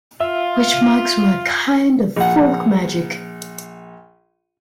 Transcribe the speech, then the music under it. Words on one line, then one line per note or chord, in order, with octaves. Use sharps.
Witch marks were a kind of folk magic.
F4 E5
A#1 F#5